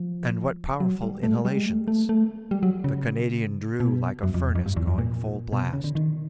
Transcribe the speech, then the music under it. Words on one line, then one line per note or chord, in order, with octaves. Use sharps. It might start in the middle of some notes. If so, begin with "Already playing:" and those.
And what powerful inhalations! The Canadian "drew" like a furnace going full blast.
Already playing: F3
F#3
G3
A3
G#3
G3
G#3
A3
A3
A3
G3
F#3
C#3
B2
F#2
F2
E2
F2
G2
E2
F2
A#2
B2
C3
C#3
D3
D#3